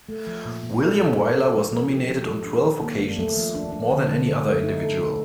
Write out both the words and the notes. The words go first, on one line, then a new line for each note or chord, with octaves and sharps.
William Wyler was nominated on twelve occasions, more than any other individual.
A3
F3
A#2
A#2
A4
A4
A4
A4
F3
F3
G4
F3
A4
D4
D#3
A#3
D4
A3
F3
D4
D4
D3
D3
D3
A3
D#4
A4
A3